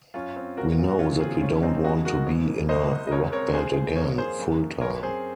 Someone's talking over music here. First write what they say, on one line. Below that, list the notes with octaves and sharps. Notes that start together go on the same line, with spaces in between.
We know that we don't want to be in a rock band again, full-time.
F#2 C#4 F4
C4
A#2 F#4 A#4
A#2
F#4
F#2 C#4 F4
C4 F4 G#4
F#2 C#4 F4
F#2 C4 D#4
C#2 D#4 F#4
G#3 F#4 A#4
F2
A#3
C2 C5 D#5
C2
D#5
C#2 A#4 C#5
C4 A#4 C#5
D#2 G#4 C5
D#2
F2 A#4 C#5
A#3 G#4 C5
F#2
F#2
F#2 A#4 C#5
C4 G#4 C5